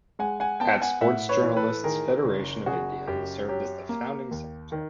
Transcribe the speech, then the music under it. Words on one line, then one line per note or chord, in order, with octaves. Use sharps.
At Sports Journalists’ Federation of India he served as the founding secretary.
G#3 F#5 G#5
F#5 G#5
B3 G5 A5
F#5 G#5
A2 E5 F#5
B4 C#5
E3
A4 B4
D#3 G#4 A#4
F#1
F#1 F#4 G#4
F#2 G4
F#3 G4
A#3
D#2
D#3